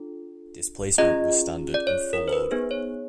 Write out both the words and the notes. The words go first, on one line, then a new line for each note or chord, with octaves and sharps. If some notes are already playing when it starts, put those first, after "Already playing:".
Displacement was standard and full load.
Already playing: D4 F4 A4
C#4 F4 G#4 D#5
D5
C#5
A#4
C5
B4
B3 D#4 G#4 C5
C#5